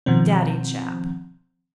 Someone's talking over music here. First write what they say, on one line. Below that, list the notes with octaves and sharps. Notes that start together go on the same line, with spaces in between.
Daddy Jap.
B2 D#3 F3 C4